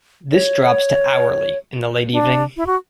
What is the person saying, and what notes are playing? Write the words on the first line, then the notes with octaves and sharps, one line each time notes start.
This drops to hourly in the late evening.
C#5
D4
E4
F#4